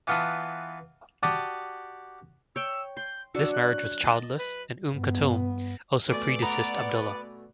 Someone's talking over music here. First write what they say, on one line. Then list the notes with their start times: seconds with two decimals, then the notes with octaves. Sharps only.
This marriage was childless, and Umm Kulthum also predeceased Abdullah.
0.07 E3 B3 F4 A5 D#6
1.23 F#4 G4 D5 A5 D6 D#6
2.56 C#5 G5 E6
2.97 C6 G6
3.35 F#3 D4 F#4 E6
3.53 F#6
4.05 D#5 A5
4.38 B4
4.93 G2 B3
6.11 B2 A3 D5 G#5
6.42 B3 A#5